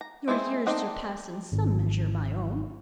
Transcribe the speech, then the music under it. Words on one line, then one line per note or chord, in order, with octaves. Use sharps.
Your years surpass in some measure my own.
A#5
G#3 C4 E4 C5
C4 D4 D#4 D#5
G#1